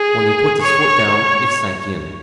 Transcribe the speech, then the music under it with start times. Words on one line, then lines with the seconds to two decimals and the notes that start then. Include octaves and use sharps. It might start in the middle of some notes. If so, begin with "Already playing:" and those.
When he put his foot down it sank in.
Already playing: G#4
0.63 C#5